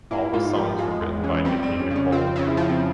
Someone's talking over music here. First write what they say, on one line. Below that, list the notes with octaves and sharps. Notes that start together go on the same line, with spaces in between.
All the songs were written by Nicki Nicole.
A#3 E4
E4
G#2 F4
F4
F3 G4
G#3 F4
E2
E3 C#4
G3 C4
C4
F2
C#4
C#3
C#4
C4 F4
C#3 C#4
E4
F3
C4